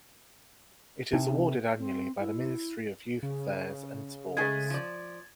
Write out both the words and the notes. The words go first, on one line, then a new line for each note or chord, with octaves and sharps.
It is awarded annually by the Ministry of Youth Affairs and Sports.
C3 D#4
C4
E4
C#3
G#3 A3 G#4 G#6 A6
F3 D5